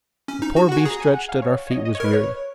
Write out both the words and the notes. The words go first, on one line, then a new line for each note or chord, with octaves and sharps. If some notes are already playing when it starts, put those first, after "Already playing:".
The poor beast stretched at our feet was weary.
C#4
D#4
F#4
F#4 F#5
G#5
G#4 A#5
G#5
F#5
F5
C#5
C#5
D#5
D#5
C#5
A#4 B4
C#5